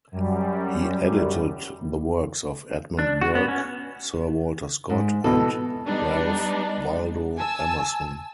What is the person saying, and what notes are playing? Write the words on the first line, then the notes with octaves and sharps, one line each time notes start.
He edited the works of Edmund Burke, Sir Walter Scott, and Ralph Waldo Emerson.
F#2 G3
D4
F#4
B3
C#4
G#2
B2 E3 A4
G3 B3 D4 D#4
G#5 A5 E6